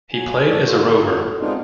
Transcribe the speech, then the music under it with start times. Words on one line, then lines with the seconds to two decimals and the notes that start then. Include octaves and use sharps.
He played as a rover.
0.13 F#3 G#5
0.48 D2 G#2 A4 C#5 D5 A5
0.65 D3 F4 F#4 A4
1.39 G#3 B3 C4 D4 D#4 F4